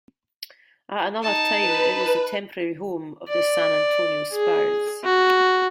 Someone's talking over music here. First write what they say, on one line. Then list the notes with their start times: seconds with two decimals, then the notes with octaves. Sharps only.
At another time, it was the temporary home of the San Antonio Spurs.
1.23 D#4 A5
1.61 B4
3.28 D5
4.33 G#4
5.04 F#4